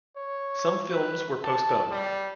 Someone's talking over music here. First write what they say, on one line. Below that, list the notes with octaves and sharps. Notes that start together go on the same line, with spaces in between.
Some films were postponed.
C#5
B4
A5
G3